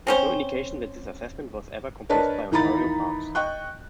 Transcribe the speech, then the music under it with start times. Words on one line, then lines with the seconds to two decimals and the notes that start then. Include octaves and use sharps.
There is no indication that this assessment was ever completed by Ontario Parks.
0.07 C4 C#4 C5
2.09 D4 A#4 B4 C#5 D#5 A5
2.51 D#2 E3 D#4 A#5 B5 A6
3.35 D#5 G5 C#6 F#6